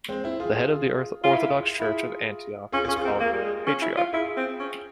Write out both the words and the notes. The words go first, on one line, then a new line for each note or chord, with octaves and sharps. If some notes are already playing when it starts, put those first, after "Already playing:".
The head of the Orthodox Church of Antioch is called Patriarch.
G#3 C4
C4 E4
F4 G#4
F4
E4 G4 A#4
F4 G#4
E4 F4 G#4
C#4 F4 G#4
F4 G#4
C#4
F4 G#4
C4
G4 A#4
A#3 F4 G#4
G3
G#3
C#4
E4
F4
E4 F4 G#4
C4
C#4